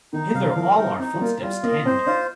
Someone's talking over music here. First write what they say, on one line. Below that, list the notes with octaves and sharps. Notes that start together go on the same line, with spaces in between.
Hither all our footsteps tend.
D#3 D#4
C3 F5
F3 A#4
G3 D#4
C4 D#4
G3
A#3 F4
G3 F4
A#3 D#5
C4 C5
D#4 F4